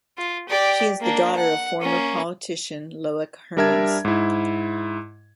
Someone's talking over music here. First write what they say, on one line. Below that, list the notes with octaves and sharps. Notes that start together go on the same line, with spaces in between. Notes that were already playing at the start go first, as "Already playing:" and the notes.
She is the daughter of former politician Loek Hermans.
F4
G4 D5
A#3 D4
F#5
A#3 C#4
G3 D4 A#4 E5 A5 G#6
G#2 E4